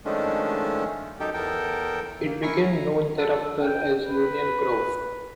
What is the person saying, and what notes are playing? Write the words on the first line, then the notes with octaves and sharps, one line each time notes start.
It became known thereafter as Union Grove.
D#3 F3 G#3 A3 C#4 D4
F#2 D#4 G4 A4 G5
E2 A4 A#4 G5
A#3
E4 A#4 G#5 C#6
A#5
A4
G5
B4